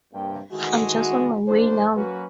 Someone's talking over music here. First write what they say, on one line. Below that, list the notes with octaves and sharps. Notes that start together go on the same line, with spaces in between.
I'm just on my way now.
G2 C3 A#3 G5
D#3 E3 G#3 A3 F#4
A#1 D#2 G#2 D4 C5
F#3 A#3 C#4 F#4 B4